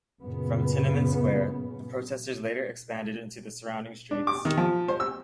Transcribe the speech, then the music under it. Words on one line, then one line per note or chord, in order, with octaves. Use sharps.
From Tiananmen Square, the protesters later expanded into the surrounding streets.
F#2 A#2 C#3 B3
D4
D6
D#3
F3
C5
E6